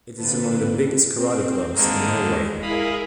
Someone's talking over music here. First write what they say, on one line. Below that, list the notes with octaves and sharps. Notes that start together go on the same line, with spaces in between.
It is among the biggest karate clubs in Norway.
D3 A#3 C4 D4 A4 B4
C4
D3 D#3 G#3 A#3
E4 G#4 A#4 F5 B5 D#6